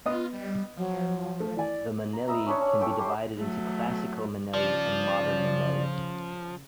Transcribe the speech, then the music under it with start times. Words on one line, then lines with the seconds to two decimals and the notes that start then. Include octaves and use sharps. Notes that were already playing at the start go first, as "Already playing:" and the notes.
The manele can be divided into "classical manele" and "modern manele".
0.06 B3 F4 D#5 D#6
0.33 G3
0.77 F3 F#3
1.40 A3
1.57 E3 D5 G#5
2.13 A#5
2.28 B4 D#5 E5 A#5
2.46 C#4 D4 B4 C#5
2.61 C#4
2.81 A3 C#4 G5 E6
2.99 G4 C6
3.38 F#3 A3
4.54 C#3 F3 D5